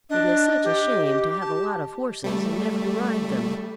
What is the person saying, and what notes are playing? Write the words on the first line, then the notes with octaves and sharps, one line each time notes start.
It is such a shame to have a lot of horses and never to ride them!
D4 D#5
G4
A5
G3 A3